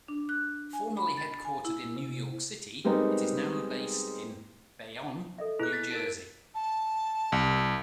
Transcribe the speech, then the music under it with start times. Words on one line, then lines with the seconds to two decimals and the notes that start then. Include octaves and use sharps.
Formerly headquartered in New York City, it is now based in Bayonne, New Jersey.
0.08 D4
0.29 F#6
0.73 G#5
0.97 B5
1.17 A6
1.45 G#5
1.65 E4
1.97 C3
2.85 G3 G#3 B3 C4 D#4 A#4
5.38 A4 D#5 E5
5.59 E4 G#4 B4 A#5 F#6
5.73 A6 B6
5.91 D#4 A#4 D7
6.55 A5
7.32 C2